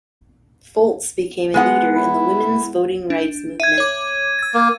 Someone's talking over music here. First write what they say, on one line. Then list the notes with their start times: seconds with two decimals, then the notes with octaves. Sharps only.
Foltz became a leader in the woman's voting rights movement.
1.54 G#3 B3 F#5
1.95 E4
3.10 D4
3.60 E5 G#6 D#7
3.78 C#5 D6
4.39 E6 A6
4.54 A#3